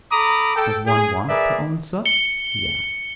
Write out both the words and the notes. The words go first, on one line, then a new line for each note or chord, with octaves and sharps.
"Does one want to own soot?" he asked.
A4 A#5 B5 D6 D#6
A4 G5
G#4
G#4 A#4 B4 D5 E5
C#7 G7